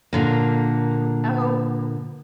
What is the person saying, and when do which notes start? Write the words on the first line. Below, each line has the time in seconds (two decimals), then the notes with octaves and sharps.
Mhm. Oh
0.13 A#2 D3 A#3